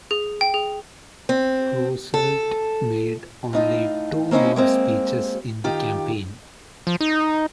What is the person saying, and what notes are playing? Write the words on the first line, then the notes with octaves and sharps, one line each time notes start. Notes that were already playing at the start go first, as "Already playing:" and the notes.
Roosevelt made only two more speeches in the campaign.
G#4
G5
G#4
C4
A4
A2 D#4 F4
A#3 C4 C#4 D#4 E4
G#3 A#3 C4
D#3 F4 G4
F3
D#4